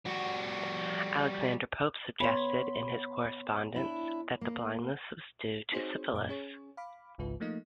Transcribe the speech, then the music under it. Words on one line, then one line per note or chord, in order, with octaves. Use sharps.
Alexander Pope suggested, in his correspondence, that the blindness was due to syphilis.
G3 F#4
B3 C#5 B5 C6
D4 E4
A#3
C4 D#4 F#4 G#4 C5 C#5
F#2 A#2 D6
C#4 G#4 C#5
F5 B5 D6
G#1 C#2 G#2 C#3 F4 B4
F3 A3 A#3 D#4 D#5